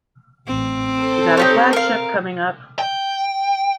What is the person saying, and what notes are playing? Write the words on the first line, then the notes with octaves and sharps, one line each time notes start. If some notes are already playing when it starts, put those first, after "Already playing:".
We got a flagship coming up.
A1 C4
A4 C5
D#4 G4 C#5
A#4 F5
G5